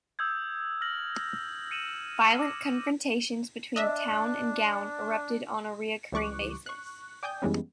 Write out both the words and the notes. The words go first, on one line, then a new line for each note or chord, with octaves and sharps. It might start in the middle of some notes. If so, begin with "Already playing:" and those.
Violent confrontations between town and gown erupted on a recurring basis.
D#6 E6 G6 G#6
F6 A6 A#6 F#7
C#7 D#7 E7 F#7
D6 A#6
D4 D#5 E5
C#2 E3 G3 C#6 D6 F#6
C#6 F#6
D5 G5 G#5 D#6 G6
F#2 E3 G3 G#3 B3 C#4